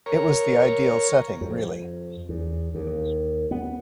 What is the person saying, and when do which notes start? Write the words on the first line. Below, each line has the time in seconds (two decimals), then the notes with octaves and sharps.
It was the ideal setting really.
0.06 A#4 C#5
1.41 F2
2.29 E2
2.75 D#2
3.51 B3